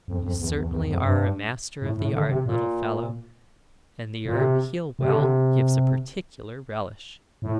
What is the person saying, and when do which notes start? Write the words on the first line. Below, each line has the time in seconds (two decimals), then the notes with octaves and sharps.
'You certainly are a master of the art, little fellow, and the herb heal-well gives a particular relish.'
0.08 F2
0.23 F2
0.39 E2
0.56 E2
0.72 E2
0.87 F2
1.03 G2
1.82 A2
1.98 A2
2.13 D3
2.29 C3
2.46 A#2
4.26 A#2
4.36 C3
4.99 C3
5.09 D3
5.19 C3
7.42 A2